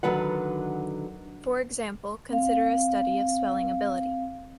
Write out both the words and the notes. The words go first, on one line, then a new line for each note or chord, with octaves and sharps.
For example, consider a study of spelling ability.
D3 D#3 F#3 B4 F#5
C4 F5